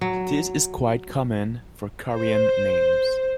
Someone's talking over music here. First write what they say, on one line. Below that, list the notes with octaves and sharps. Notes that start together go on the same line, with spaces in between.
This is quite common for Korean names.
F#3
C5